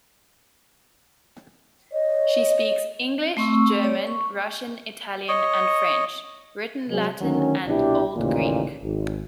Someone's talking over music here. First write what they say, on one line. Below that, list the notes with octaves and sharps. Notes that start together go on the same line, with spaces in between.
She speaks: English, German, Russian, Italian and French; written Latin and Old Greek.
C#5 D#5
A3 C4 C#6 E6
C#5 D5
C#6
C#5 D#5
C3 F#3 G#3 G#4
D2 D#3 F#3 C#4
C2 B2 D4 E4 G4
A1 D#2 A#2 C#3 D#4
G#1